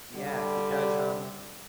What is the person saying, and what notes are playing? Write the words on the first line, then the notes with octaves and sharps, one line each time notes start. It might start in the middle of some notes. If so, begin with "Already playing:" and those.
Yeah, because, um
D3 G3